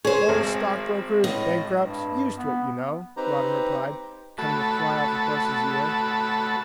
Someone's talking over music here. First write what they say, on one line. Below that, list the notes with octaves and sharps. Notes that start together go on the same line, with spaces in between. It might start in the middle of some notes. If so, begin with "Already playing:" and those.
"O stockbrokers--bankrupts--used to it, you know," Rawdon replied, cutting a fly off the horse's ear.
G#4 C5 C#5
G#1
A2 D#5
G2
B3
C4 D#4 G4 B4 C5 A#5
A3 F#4 A4 B5